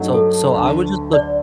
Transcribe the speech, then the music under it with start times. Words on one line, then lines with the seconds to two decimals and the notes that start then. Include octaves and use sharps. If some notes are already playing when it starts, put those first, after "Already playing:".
So so I would just look
Already playing: G2 F#3 A3 D#4
0.14 A4
0.54 D2 D3 A3
1.13 D5